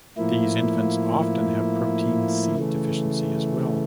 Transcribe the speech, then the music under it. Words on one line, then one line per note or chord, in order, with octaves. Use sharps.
These infants often have protein C deficiency as well.
A2 F3 A#3 E4
C#3 E3 A3